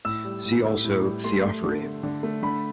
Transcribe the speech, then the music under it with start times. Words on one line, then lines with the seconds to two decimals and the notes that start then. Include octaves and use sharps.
See also Theophory.
0.05 A2 E6
0.25 G3
0.45 A2
0.65 A2
0.84 A2
1.04 G3
1.24 A3 C6
1.44 A3
1.64 D3
1.83 A3
2.03 D3
2.23 A3
2.43 D3 B5